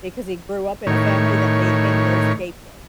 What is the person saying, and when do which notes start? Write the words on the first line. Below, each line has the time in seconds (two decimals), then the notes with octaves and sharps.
because he grew up in a family that made him their scapegoat.
0.87 A2 D#3 C#5